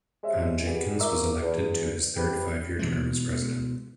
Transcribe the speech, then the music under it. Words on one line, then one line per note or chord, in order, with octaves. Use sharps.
On Jenkins was elected to his third five-year term as president.
C3 G#3 C#5 E5
G3 B3 F#4 G#4
F4 A#4 C#6 D6 E6
E2
C3 G3 G4 B4
B2 E3 G#3